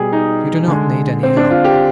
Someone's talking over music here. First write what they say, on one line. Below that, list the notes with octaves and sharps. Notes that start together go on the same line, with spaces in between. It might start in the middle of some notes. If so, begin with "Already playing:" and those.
You do not need any help.
Already playing: B2 G3 G4 G#4
D#4
D3 G#3
C4
D4
F4
G4